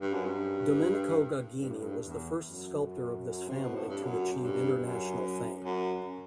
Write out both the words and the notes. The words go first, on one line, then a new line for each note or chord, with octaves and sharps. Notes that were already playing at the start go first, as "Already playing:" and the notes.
Domenico Gagini was the first sculptor of this family to achieve international fame.
G2
F#2
G2
G2
A2
G2
E2
F#2
C3
B2
A2
G2
F#2
F#2
G2
F#2
F#2